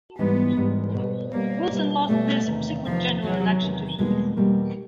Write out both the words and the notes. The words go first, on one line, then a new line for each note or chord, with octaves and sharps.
Wilson lost the subsequent General Election to Heath.
G#2 E3 G3 B3
G#2 E3 G3
B2 G3 B3
B2 G3 A#3 B3
B2 G3 B3
B2 G3 A3 B3
E2 C3 D#3
E2 C3 D#3 F3
E2 C3 D#3 F#3
E2 C3 D#3
E2 B2 G3 G#3 A#3
E2 B2 G3 A#3